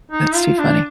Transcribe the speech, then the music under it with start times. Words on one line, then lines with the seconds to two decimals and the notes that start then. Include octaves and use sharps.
That's too funny.
0.11 D#4
0.35 F4
0.58 D4